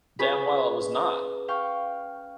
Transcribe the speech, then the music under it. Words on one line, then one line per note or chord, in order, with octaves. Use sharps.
damn well I was not.
C#4 G#4 B4 B5
F5 G5 C#6